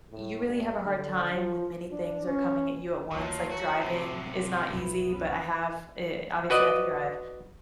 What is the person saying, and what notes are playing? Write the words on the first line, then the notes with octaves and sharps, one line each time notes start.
you really have a hard time when many things are coming at you at once. Like, driving is not easy, but I have, eh, obviously, I have to drive,
A2
G2
D3
F3
D4
C#4
D2 A#2 D3 F#3 A3
F#4
A2 C3
B1 F2 B3 E4
B3 C#4 B4
F#4 B4 D5 D#5